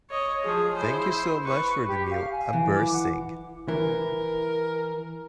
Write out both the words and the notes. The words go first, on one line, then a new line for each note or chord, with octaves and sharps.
Thank you so much for the meal, I'm bursting!.
C#5 D#5
F3 G#4
E4 C5
B4 C#6
G4
F5
G#5
E3
D6
F#5
E3 A#4